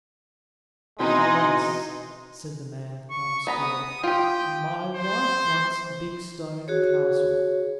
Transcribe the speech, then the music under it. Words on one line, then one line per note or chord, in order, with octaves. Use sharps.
"Alas," said the man, half scared, "my wife wants a big stone castle."
B2 E3 G#3 C4 D#4 D#5 C6
C#6
B3 A#5 B5 D#6
F4 G4 G5
C5
F#4 G#4 C#5